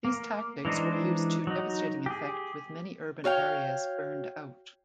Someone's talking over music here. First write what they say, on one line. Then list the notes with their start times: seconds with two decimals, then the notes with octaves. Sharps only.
These tactics were used to devastating effect with many urban areas burned out.
0.05 A#3
0.65 E3 G#3 D4 D#4 C5
1.47 F#3 D#4
2.06 G4 G#4
3.24 F#4 C#5 F5 G5